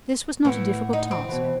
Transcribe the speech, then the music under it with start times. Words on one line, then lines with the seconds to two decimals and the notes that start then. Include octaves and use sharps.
This was not a difficult task.
0.45 A2 E3 F#5
0.93 D#4
1.11 C4
1.28 B2 E3